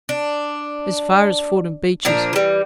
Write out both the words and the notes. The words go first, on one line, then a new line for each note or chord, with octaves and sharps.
'As far as Fordham Beeches.
D4
A#2 F3 D4 A#5
E3 G3